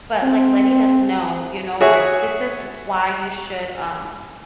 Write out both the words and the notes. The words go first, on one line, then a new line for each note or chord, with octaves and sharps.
but, like, letting us know, you know, like, this is why you should, um
C4
F#4 G#4 C#5 E5 G#5